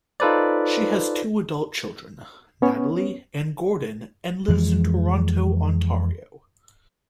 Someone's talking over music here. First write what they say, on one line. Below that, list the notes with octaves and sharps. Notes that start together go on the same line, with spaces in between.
She has two adult children, Natalie and Gordon and lives in Toronto, Ontario.
D#4 F4 A4 B4 C5 D5
B3 C#4 C#5
F2 E3 F3 G#3